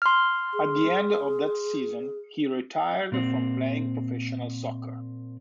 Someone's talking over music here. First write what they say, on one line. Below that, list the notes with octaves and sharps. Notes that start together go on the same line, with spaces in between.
At the end of that season, he retired from playing professional soccer.
C6 F6
G#4
A#2 C4